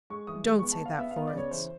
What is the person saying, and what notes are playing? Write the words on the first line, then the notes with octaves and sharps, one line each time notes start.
"Don't say that, Florence."
G#3 C#6
E3 D#6
G#3
B3 C#6
A5
B3 F5
B3 E5
F5
B3
D5
C#3 C#5
E3 C5